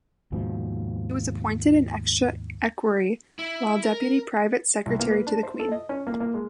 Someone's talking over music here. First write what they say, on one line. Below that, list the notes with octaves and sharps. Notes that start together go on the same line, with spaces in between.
He was appointed an Extra Equerry while Deputy Private Secretary to the Queen.
D#2 G#2 B2 F3
E4
A#4
C2
A#3
B4
D4
C5
A4
D#5
C#4
A#3
A#3
G#3